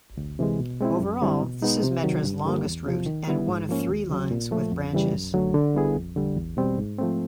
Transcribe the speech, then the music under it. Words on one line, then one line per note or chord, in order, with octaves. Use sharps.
Overall, this is Metra's longest route and one of three lines with branches.
D2
C3 E3 G#3
B2
G#3 C4 E4
F#2
D3 G3 C4 E4
B2
G#3 B3 D#4
C3
D#3 F#3
G2
D3 G3 A#3
E2
C3 F3
D#3
G3 B3 E4
G#2
F3 A#3 C#4
D#2
C#3 F#3
A#2
F3 A3
F2
C#3 E3 G3
F#2
D3 F#3 A3
D3
G3 B3 E4 G#4
F2
D3 G3
E2
B2 G3 C4
G#2
F3 A3 C4